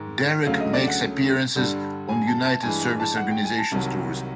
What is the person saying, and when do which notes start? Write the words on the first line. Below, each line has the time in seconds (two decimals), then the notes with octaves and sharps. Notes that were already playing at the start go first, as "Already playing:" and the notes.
Derek makes appearances on United Service Organizations tours.
Already playing: G#2 D#3 G#3
0.47 D2 C#3 F#3 A3 F5
0.60 D#5
0.74 D5
0.88 F#5
1.56 G2 D3 G3
2.09 G#5
2.27 A5
2.45 A5
2.63 G2 E3 G#3 G#5
2.82 G#5
3.00 A5
3.17 F#5
3.31 G5
3.45 G#5
3.58 A5
3.71 C2 C3 D#3 F#3